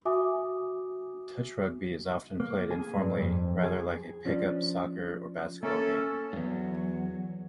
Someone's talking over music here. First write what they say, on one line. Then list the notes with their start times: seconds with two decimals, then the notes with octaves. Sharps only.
Touch rugby is often played informally, rather like a pick-up soccer or basketball game.
0.05 F#4 E5 G#5 D6 D#6
2.40 A#3
2.71 G#4
2.96 G2
3.20 F2
3.63 G#4
4.25 F3 C#4 D4
5.63 A#3 C#4 A4 E5
6.33 E2 G2 F#3